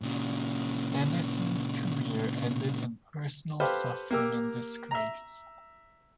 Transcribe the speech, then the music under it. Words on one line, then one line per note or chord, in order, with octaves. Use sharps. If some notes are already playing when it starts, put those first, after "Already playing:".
Anderson's career ended in personal suffering and disgrace.
A#2 C#3
G4 A4 B4 C5 F5
A#3 G4 A#4 E6
E5 A#5